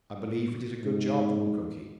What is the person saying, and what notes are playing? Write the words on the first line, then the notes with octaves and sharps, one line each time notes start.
"I believe we did a good job, Mukoki!"
G#2